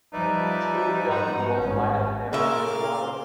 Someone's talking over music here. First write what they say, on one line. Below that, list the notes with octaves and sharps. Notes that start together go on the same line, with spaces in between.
Two young girls ride a camel near water.
F3 G3 D#4 B4 D5 E5
G#2 C5 F#5 A#5
G#1 G2 C#4
A#2 C#3 A#4 E5 F5 C6 D6